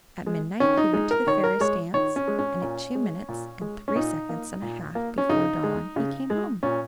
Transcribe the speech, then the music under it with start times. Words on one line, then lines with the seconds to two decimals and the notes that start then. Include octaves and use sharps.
At midnight he went to the fairies' dance; and at two minutes and three seconds and a half before dawn he came home.
0.26 G#3
0.60 D#3 C#4
0.77 D#4
0.93 G#3 D#4
1.11 A#4
1.27 D#3 C#5
1.44 A#4
1.60 G#3 C#5
1.94 D#3 C#5
2.16 C#4
2.27 G#3
2.39 C#4
2.62 A#2
2.95 G#3
3.29 A#2
3.61 G#3
3.88 C#4
3.95 A#2 D#4
4.29 A#3
4.62 A#2
4.95 A#3
5.18 C#4
5.30 C#3 D#4
5.63 G#3
5.96 C#3
6.30 G#3
6.63 A#2 C#4